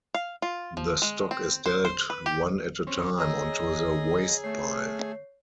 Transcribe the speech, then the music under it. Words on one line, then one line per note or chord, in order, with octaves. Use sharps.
The stock is dealt one at a time onto the wastepile.
F5
F4
F3
G#3
C4
C5
C5
B4
G4
C4 C#4
G#4 C#5 D#5 A#5 E6
A3 C#5 C7